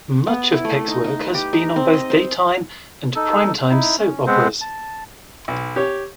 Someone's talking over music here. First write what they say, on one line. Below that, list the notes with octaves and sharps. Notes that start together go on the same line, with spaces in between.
Much of Peck's work has been on both daytime and prime time soap operas.
B3
E4
A3
D#4
D#4
B4
G4
D#4
C4
D#5
C5
D#4 A4
D#4 E4
C#4
G#3 B3 C4 C5
A5
B1
G4 C#5